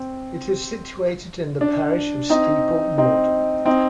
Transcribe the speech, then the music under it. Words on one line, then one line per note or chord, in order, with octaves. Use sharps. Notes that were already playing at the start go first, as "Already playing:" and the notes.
It is situated in the parish of Steeple Morden.
Already playing: C4
D4
C4 D#4
C4 D#4
C4 D#4